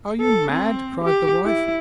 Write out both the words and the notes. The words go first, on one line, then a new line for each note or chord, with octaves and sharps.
'Are you mad?' cried the wife.
A4
C4
G4
E4